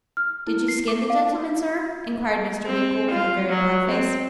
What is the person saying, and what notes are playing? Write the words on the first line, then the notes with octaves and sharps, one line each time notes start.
'Did you skin the gentleman, Sir?' inquired Mr. Winkle, with a very pale face.
F6
E4
C7
D6
F5
C4
F4
F#3
C4